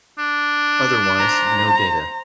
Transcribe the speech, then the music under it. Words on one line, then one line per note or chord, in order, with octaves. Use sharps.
Otherwise, no data.
D4
C5 A#5